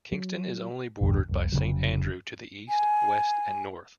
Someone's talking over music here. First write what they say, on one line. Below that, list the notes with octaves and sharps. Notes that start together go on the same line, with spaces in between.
Kingston is only bordered by Saint Andrew to the east, west and north.
F#3
A1 E2 G2 D3
F1 C2
F1 B1 C#3 F#3
G#5